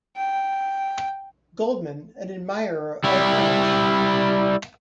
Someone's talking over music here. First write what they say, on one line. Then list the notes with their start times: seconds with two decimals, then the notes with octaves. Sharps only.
Goldman, an admirer of French.
0.17 G5
3.04 G3 E4